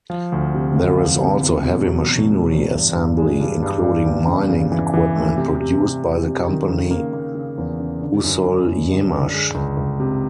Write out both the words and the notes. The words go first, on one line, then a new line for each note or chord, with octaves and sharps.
There is also heavy machinery assembly, including mining equipment produced by the company "Usolyemash".
F3
D2
C3
F3
F3
C3
E2
B2
F#3
B2
B2
E2
G2
G2
G#3
G2
G2
G2
E2
C#3
C#3
E3
E3
A3
C3
C3
C3
C3
C3
D#3
C#3
A#3
A#3
C#3
E2
C#3
D3
F#2
F#2
F#2
D3
D3
G#3
C#2
C#2
C3